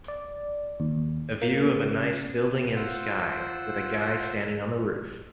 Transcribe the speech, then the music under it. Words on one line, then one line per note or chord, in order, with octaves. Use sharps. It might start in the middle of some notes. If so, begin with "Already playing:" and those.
A view of a nice building and sky with a guy standing on the roof.
D5
D#2
A#3
C#3
F4 C5 F#5 E6